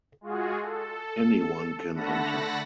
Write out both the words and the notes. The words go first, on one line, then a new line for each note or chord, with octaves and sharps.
Anyone can enter.
G#3 F4 F#4 G#4
A4
D3 A3 F#5 A5 B5 A#6